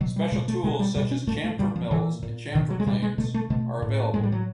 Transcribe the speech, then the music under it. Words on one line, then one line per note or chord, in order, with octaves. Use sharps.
Special tools such as chamfer mills and chamfer planes are available.
B2 F#3
G3
B2 G#3
A3
B2 G#3
G3
B2 G3
C#4
A#2 A3
A3
A#2 G3
F3
A#2 E3
A#2
B2 D#3
F#3
G#3
B2 G3
G#3
B2 A3
A3
B2 A3
A2
A2 G#3
G3
F#3